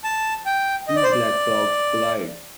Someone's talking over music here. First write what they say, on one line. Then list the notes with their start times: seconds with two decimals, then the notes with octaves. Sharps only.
Two black dogs collide.
0.04 A5
0.46 G5
0.88 D#5
0.96 D5
1.04 C5
1.12 D5